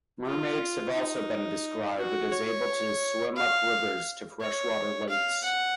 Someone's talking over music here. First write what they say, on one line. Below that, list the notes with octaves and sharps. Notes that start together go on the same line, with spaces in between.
Mermaids have also been described as able to swim up rivers to freshwater lakes.
F4
D#4
F#4
C#5
F5
C#5
F5
F#5